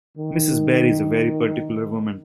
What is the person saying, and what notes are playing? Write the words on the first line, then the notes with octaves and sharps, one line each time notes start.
Mrs. Barry is a very particular woman.
D#3